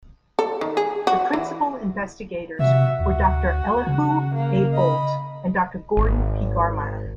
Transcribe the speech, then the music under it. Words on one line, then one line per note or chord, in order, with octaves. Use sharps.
The Principal Investigators were Doctor Elihu A. Boldt and Doctor Gordon P. Garmire.
A4
D#3
G#4
F#4
E3
C3 F#4 E5
D2 F#4
C#3
A#3
D#5 B5
G#1